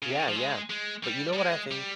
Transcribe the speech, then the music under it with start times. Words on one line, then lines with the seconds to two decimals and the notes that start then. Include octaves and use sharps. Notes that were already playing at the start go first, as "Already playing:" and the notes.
Yeah, yeah. But you know what I think?
0.02 C#3
0.10 C3
0.19 C#3
0.28 F3
0.36 G#3
0.70 G#3
1.04 G3
1.33 G3
1.38 G#3
1.71 G3